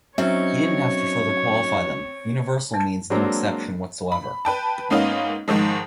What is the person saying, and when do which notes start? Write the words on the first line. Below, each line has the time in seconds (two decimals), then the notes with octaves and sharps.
He didn't have to further qualify them - universal means no exception whatsoever.
0.18 F#3 C4 C#4 D#4 C#5 E5
3.10 F#3 G#3 A#3 C4 D4
4.12 B5
4.45 B4 G5 A5
4.90 G#2 A#3 B3 C#4 D#4 F4
5.48 G#2 D#3 F3 G#3